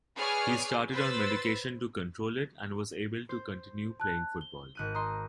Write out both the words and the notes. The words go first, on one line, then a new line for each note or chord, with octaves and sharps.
He started on medication to control it and was able to continue playing football.
G#4 B4 C#5 D5 G#5 F6
B4 C5 E6 A6
C5
A5 F#6
G7
G#1 F#6 D#7
D#5 A#5 C6